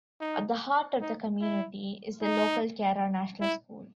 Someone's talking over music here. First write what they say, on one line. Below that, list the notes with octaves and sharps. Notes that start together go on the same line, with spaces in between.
At the heart of the community is the local Carra National School.
D#4
D#4
E4
D#4
E4